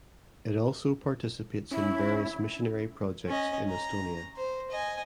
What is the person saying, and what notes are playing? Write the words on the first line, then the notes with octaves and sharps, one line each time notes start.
It also participates in various missionary projects in Estonia.
C#4 E4
C#4 D#5
A#5
C5
D#5 G#5